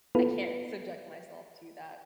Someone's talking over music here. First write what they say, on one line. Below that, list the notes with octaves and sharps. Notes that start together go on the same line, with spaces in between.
I can't subject myself to that
B3 E4 F4 A4 B4